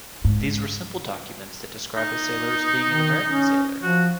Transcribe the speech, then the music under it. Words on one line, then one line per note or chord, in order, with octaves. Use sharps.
These were simple documents that described the sailor as being an American sailor.
G#2
D#4
D#3
C#4
F3 F#4